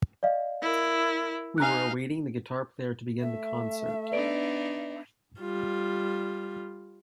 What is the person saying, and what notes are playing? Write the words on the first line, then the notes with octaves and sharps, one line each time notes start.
We were awaiting the guitar player to begin the concert.
D5 D#5 F5
E4 A#4
D#4 F5 G#5 A#5 F#6
A3 E5
B3 D4 D#4 B4 D5 D7
G3 F4